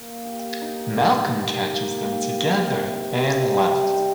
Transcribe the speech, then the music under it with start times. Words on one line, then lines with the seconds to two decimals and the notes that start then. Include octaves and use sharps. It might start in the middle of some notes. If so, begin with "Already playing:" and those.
Malcolm catches them together and left.
Already playing: A#3
0.25 G4
0.62 D#4
0.98 D#4
1.35 G4
1.72 A#3
2.08 G4
2.45 C3
2.82 C3
3.19 C3
3.57 G3
3.92 D#4